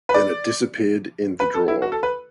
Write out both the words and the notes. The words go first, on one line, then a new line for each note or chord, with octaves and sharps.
Then it disappeared in the drawer.
B4
D5
B4
A4
E4
F#4
A4
B4